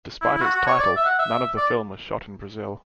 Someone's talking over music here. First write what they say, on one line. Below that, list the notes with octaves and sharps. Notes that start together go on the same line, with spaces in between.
Despite its title, none of the film was shot in Brazil.
E4
E4
F#4
F#4
C#5
D5
E5
F#5
E5
D5